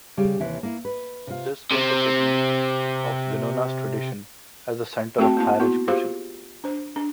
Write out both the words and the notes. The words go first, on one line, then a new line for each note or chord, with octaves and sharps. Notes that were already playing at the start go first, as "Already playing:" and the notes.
This was the beginning of Winona's tradition as a center of higher education.
C#3 G3 G4
D#2 C3 E3 E5
A#3 E4
B4
C3 F4
C3 C4
A3 C4 F#4 G#4 G5 A5
A#3 E4 A5
B3 E4 F#4
F4 G4 G#4 C5 F5
D4 C5
D4